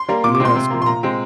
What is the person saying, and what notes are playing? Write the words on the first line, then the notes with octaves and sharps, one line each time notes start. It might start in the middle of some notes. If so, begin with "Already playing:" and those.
Yeah, that's cool.
Already playing: C6
G3 A#3
A#2 D6
D6
G#3 C4
C6
C3
F3 A#3
C6
A#2 A#5
G#3 C4